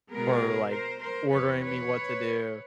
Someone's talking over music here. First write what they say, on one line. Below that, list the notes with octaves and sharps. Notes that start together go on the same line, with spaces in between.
or, like, ordering me what to do,
B2 G#3 B3 G#4 A#4
A#4 C5
A#4 C5
E2 C3 E3 B4 C#5
B4 C#5